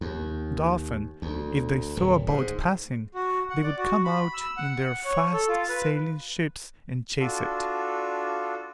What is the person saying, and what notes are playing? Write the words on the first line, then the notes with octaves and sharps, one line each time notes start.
And often, if they saw a boat passing, they would come out in their fast sailing-ships and chase it.
D#2
D2
D1
G#2
F#4
F#5
D5
F#4
B5
E6
F#5
C#5
A4
F4
B4
D4 F4 F#4 A4